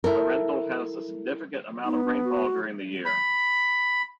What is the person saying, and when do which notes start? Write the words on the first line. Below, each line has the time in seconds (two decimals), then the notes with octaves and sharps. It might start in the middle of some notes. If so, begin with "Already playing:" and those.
Arendal has a significant amount of rainfall during the year.
0.04 E4 A4 A#4
1.85 B3 D#4
2.04 D4
2.24 F#4
3.06 B5